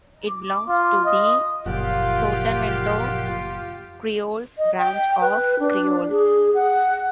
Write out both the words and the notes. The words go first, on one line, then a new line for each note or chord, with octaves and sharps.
It belongs to the Sotavento Creoles branch of Creole.
D6
F4
D#5
F#1 A#2 F3 F4 G4 F#5
D#5
G5
B4
D4
G#4
F#5